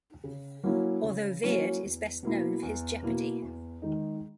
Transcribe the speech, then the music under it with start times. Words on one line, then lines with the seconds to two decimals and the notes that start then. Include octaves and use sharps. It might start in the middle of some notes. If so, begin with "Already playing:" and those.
Although Vered is best known for his Jeopardy!
0.24 C#3
0.63 F#3 A#3 C#4 E4
1.03 C#3
1.43 F#3 A#3 C#4 E4
1.83 E2
2.23 B2 A#3 E4
2.63 E2
3.02 B2 A#3 E4
3.42 E2
3.82 D#3 G#3 D#4